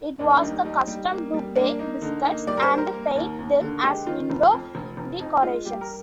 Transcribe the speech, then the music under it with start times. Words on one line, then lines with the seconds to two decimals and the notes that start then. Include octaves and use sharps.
It was the custom to bake biscuits and paint them as window decorations.
0.19 D#2 D4
0.30 D4
0.42 G3 D#4
0.65 G3 D#4
0.87 G3
1.11 A#3
1.34 G3
1.56 A#3 D4
1.79 A#3 D#4
2.02 D3 D#4
2.24 A#3 D#4
2.47 G3 D5
2.57 A#4
2.62 C5
2.70 G3
2.78 A#4
2.93 A#3
3.15 D#2
3.39 D#2
3.62 D3
3.83 G#3 G4
4.07 D#3 F4
4.30 F1
4.52 F2
4.75 F1
4.97 F1
5.20 F2 D#4
5.43 G#3 F4
5.65 G3 G4
5.81 A#4